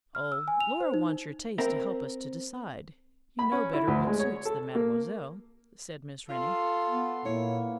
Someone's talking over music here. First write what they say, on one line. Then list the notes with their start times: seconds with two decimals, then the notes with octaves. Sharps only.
"Oh, Laura wants your taste to help us to decide; you know better what suits than mademoiselle," said Miss Rennie.
0.15 F6
0.32 E6
0.48 G#5
0.61 F7
0.80 C5
0.94 D#4
1.58 C4 A#4 E5
3.39 B5
3.52 C#4
3.73 E4
3.87 D2
4.07 G#3
4.19 C#5
4.45 A4
4.75 A#3
6.29 F4 A4 C6
6.89 B3
7.26 A#2 A#3 B3 E4 C#5